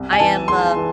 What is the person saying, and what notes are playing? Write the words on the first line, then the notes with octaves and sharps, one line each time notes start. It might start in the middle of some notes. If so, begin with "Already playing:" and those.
I am, uh
Already playing: C2
G#5
E3 A5
G#3 C6
E3